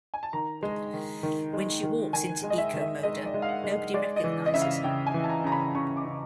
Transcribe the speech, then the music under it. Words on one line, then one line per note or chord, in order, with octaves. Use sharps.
When she walks into EcoModa, nobody recognizes her.
G#5
A5
D#3 A#5
G#3
D#3
D#3
G#3
D#3
D#3 G#5
G#3
D#5
E5
D#3
E5
G#3 D#5
D5
G#3
F5
F#5
G#3
D#5
G#3 D5
D#5
E3
D#5
C#3 E5
F5
C#3 G5
G#5
E3
A5
A#5
C#3 A#5
B5
C#3 C#6
D6
C#3